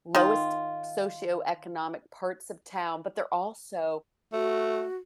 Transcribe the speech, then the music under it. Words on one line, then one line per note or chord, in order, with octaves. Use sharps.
lowest socioeconomic parts of town, but they're also
D#3 F4
A3 F#4